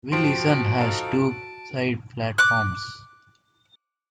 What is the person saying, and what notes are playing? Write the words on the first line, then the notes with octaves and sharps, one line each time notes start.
Willison has two side platforms.
F3 F#4 G4 A5 C6 D7
D#4 A4 F5
A5
D6 F#6